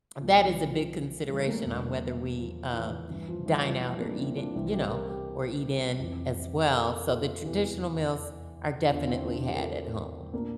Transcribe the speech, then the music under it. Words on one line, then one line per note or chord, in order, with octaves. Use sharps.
that is a big consideration on whether we, um, dine out or eat it you know, or eat in as well, so the traditional meals are definitely had at home.
C2 A#2 F3
E3
E3
F3
F3
E3 G3
A3
G3 A#3
E2 D3
F3
E3
G2 E3
F3
E3 G3
F3
E3 G3
A#3 D4
C4 E4
D4 F4
C2 C3 E3 C4 E4
E4 G4
G4 A#4
G4 A#4
F2 C3 E3
A4
G4 A#4
F4 A4
E2 C3 E3 E4 G4
E2 D3 D4 F4
C4 E4
D4 F4
E4 G4
A#4
F4 A4
A#2 A#3 D4